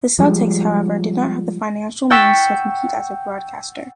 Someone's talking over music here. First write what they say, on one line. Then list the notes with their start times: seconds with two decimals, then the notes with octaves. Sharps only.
The Celtics, however, did not have the financial means to compete as a broadcaster.
0.19 F3 G3 G#3
2.10 F#5 G5 C#6 E6 A6 B6